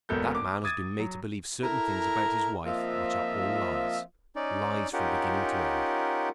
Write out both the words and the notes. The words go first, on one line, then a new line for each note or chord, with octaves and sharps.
"That man has been made to believe certain things about his wife which are all lies,--lies from beginning to end."
E1 A#3 B3 A4 G6
D6
D6 D#6 G#6 A6 D#7
F#3
E4 A4 A#4 A#5
F3 A#3 C4 F4 D#5 E5
C#4 D#4 D5
C#4 D#4 F4 G4 A#4 F#5